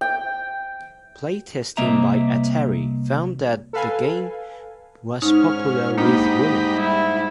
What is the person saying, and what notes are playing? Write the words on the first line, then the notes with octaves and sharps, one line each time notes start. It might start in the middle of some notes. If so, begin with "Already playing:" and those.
Playtesting by Atari found that the game was popular with women.
G5
C2 A#3 C4 D#5 E5 A#5
A4 B4 F5 G#5
G#2 C#4 D#4 F6
A#3 D4 D#4 G4 B5
G3 E4